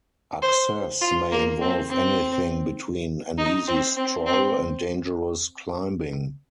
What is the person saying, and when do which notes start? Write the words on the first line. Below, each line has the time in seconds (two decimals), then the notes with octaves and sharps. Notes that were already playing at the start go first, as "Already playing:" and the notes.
Access may involve anything between an easy stroll and dangerous climbing.
0.42 C5
1.01 F4
1.31 A#3
1.61 C4
1.89 C4
3.38 D#4
3.67 C4
3.97 C4
4.26 C4